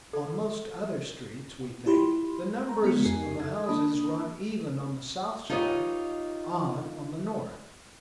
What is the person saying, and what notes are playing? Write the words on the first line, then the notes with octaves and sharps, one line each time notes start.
On most other streets, we think, the numbers of the houses run even on the south side, odd on the north.
A4
E4 F4 G4 B5 C6
A#5
G#3 B3 F4 A#5 C#7
F2 D#4 G4 A#4 G#5 C7
A4 E5 G#6
A#3 D4 A5 B5 D#6
D#4 F4 G4 B4 C#5 D#5